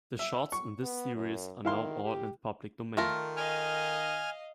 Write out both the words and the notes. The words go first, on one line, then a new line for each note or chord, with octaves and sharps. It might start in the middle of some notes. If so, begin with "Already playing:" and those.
The shorts in this series are now all in the public domain.
E5
C#6
B3
F#2
D#3 E4 F5 C6
G4
D#3 A3 F4 A#4
D#5 F5 G#5 F6